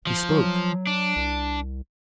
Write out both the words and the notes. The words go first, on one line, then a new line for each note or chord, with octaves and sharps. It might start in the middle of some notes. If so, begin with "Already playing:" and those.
He spoke.
F3
F#3
D4
C2